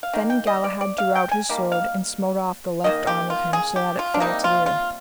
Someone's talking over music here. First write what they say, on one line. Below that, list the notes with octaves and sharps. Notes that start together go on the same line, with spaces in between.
Then Galahad drew out his sword and smote off the left arm of him, so that it fell to the earth.
F5
D#3 A#3
G5
D#5
D5
D5
F5
G5
G#5
D#3 G3 A#3
F5
D#3 A#3 D#5
G4
F4
G#4
G4
F4
D4
C3 G3 A#3 D#4
F4
F4